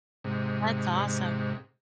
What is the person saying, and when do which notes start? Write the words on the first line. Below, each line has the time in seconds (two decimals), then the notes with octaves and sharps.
That's awesome.
0.24 G#2 C3